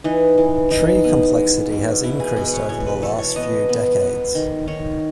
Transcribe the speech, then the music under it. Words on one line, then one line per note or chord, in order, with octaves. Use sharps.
Tree complexity has increased over the last few decades.
E3 D#4
E3
E3 D#4
B3
G#3
B2
B2 E4
G#4
B2 G#4
B4
C#5
E3 C#5
B4
E3 A4
C#5
B3 D#5
B3
B3
D#3
D#3 C#5